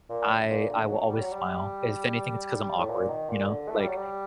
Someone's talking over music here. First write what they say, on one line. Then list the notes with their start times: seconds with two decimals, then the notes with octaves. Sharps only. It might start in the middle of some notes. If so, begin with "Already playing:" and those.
I I will always smile. If anything, it's 'cause I'm awkward, you know, like
0.10 A#2
0.49 A#2
0.70 D3
0.89 F#3
1.10 G3
1.21 F#3
1.32 G3
2.78 A2
2.89 A#2
3.09 D#3
3.29 A#2
3.48 D3
3.68 A3
3.78 G3
3.88 F#3
3.97 G3